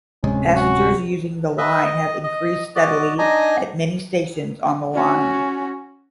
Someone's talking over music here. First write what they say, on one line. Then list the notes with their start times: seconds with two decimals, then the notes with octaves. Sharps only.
Passengers using the line have increased steadily at many stations on the line.
0.24 D1 C3 G#3 C#4
0.56 F#4
1.58 B4 D#5 E5
1.84 D#5
2.24 D#5
2.76 F#4 D5 D#5
3.18 D4 D#4 D#5 G#5 A#5
4.94 C#4 F#4